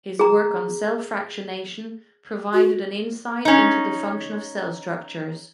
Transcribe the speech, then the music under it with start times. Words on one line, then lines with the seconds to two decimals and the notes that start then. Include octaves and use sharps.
His work on cell fractionation provided an insight into the function of cell structures.
0.19 G#4 A#5
2.54 F#4
3.45 C#4 D#4